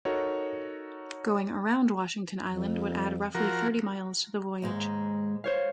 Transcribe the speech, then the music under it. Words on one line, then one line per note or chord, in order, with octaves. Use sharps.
Going around Washington Island would add roughly thirty miles to the voyage.
D#4 F#4 A4 A#4 C#5
F2
F3 F#4 A#4
D#2 G#2 G#3
C5 C#5 F5